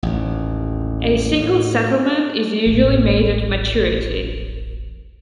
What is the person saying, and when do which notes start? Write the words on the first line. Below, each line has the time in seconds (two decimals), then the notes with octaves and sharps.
A single settlement is usually made at maturity.
0.03 A1 D#2
1.34 A2
2.66 D#1 A1